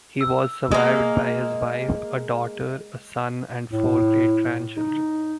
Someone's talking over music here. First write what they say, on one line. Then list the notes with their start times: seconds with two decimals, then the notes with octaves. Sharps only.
He was survived by his wife, a daughter, a son and four great-grandchildren.
0.21 E6
0.71 G#3 A#3
3.71 A2
4.77 D#4